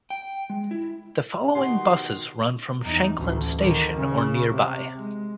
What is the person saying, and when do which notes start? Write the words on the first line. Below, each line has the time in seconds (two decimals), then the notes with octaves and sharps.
The following buses run from Shanklin Station or nearby.
0.10 G5
0.50 G#3
0.71 E4
1.55 B2 D#3 G4 F#5 C6
2.81 E2 D#4
3.15 A1 D2
3.59 D3 D#3
3.96 C#3
4.52 C3
4.96 G#3